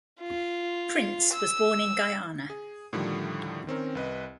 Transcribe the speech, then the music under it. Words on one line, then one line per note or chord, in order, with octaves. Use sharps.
Prince was born in Guyana.
F4
E6
G#4
A2 D3 D#3 F3 G3
D#3 C4 C#4 A#4
C2 B4 D#5